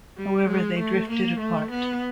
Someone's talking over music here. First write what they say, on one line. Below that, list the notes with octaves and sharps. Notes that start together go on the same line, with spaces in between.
However, they drifted apart.
G3
G#3
A3
A#3
A3
B3